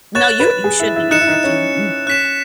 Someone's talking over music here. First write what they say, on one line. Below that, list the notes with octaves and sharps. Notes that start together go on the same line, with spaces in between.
No, you're you should be interrupting me, mm.
C#5 F#6 A6 E7
B4
G#4
E4
E4
D#4 F#6 C#7 E7
E4
D#4
C#4
C#4 F#6 B6 E7